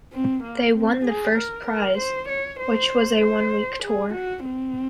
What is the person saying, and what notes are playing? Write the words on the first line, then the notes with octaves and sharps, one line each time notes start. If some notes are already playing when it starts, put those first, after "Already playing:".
They won the first prize, which was a one-week tour.
C4
A#3
C4
G#4
A#4
A#4
C5
C#5
C5
C5
G#4
F#4
C4